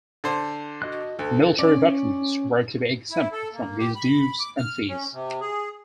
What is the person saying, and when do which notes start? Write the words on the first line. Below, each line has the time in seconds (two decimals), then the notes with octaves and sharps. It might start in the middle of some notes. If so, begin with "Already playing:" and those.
Military veterans were to be exempt from these dues and fees.
0.24 D3 D4 C5
0.82 F#4 D#5 F#6
1.19 D2 A4
1.59 C#4 D5
3.11 E4
3.32 A4
3.53 A#3
3.79 G4
3.96 B5
4.40 D6
4.57 F6
4.88 C#4
5.13 C3
5.41 G#4